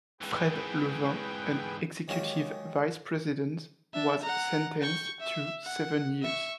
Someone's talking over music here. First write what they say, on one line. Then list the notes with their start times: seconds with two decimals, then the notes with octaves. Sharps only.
Fred Levin, an executive vice president, was sentenced to seven years.
0.21 G#2 E3 G#4 B4 G5
2.08 D#3 F#3 G#3 F4 G4
3.94 D4 E5
4.23 F#5 A#5
4.81 G5 C#6
5.20 E5
5.63 F#5
6.22 E5 C#6